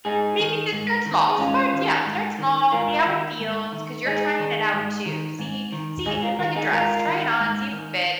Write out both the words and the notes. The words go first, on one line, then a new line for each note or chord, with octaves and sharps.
Maybe just start small, start yeah, start small, see how it feels, 'cause you're trying it out too. See see, it's like a dress, try it on, see if it fit,
G#2 D#4 G#4
D#3
G#2
D#3
G#4
G#2 C#4 F4
D#3
G#2
D#3
G#2 F4 A#4
D#3
G#2
D#3
G#2 D#4 G#4
D#3
G#2
D#3
G#2
D#3
G#2 D#4 G#4
F4 A#4
D#3 F4 A#4
D#4 G#4
G#2 F4 A#4
D#3
G#2
D#3